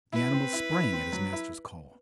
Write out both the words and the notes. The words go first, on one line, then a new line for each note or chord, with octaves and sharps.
The animal sprang at his master's call.
E4 B4
C4
E4
E4
C4
F#3
E4